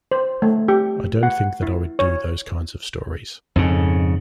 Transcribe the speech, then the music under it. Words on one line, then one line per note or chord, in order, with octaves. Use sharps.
I don't think that I would do those kinds of stories.
C5
A3
G4
F#5
E4
C#5
F2 G#2 C#3